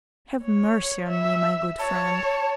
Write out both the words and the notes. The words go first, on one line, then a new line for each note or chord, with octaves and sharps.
Have mercy on me, my good friend.
C#5
E5
C#5 A5